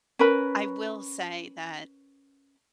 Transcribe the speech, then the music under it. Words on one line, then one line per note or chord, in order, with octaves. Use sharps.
I I will say that
C#4 A#4 B4 B5